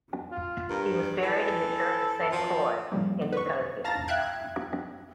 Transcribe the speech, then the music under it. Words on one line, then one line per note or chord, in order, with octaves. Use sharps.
He was buried in the Church of Saint Croix in Nicosia.
F4
G2 A#4
E3 A4
F#2 F3
A2 C#3 F3 G3 A#3
B4 C#6
F5 A5 A#5 A6 A#6
E5 F5 G5 F#6 G#6